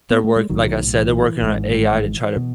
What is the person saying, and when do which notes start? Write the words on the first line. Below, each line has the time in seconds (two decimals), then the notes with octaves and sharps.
their work like I said, they're working on AI to try to
0.10 B3
0.24 A3
0.36 G#3
0.49 B1 A2 D#3 F#3
0.95 E3
1.42 G#1 G#2
2.37 B2